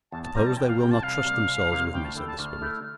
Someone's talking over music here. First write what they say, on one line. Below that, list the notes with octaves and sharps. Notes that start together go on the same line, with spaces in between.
"Suppose they will not trust themselves with me?" said the spirit.
E2 A5
A5
C3 G3 A#5
A5
E2 G5
F5
C3 G3 G5
A5
C2 F5
C3 G3 A#3
C2
C3 G3 A#3
D2 G5
A5
D3 A3 E4 G5
A5
D2 F6
D3 A3 E4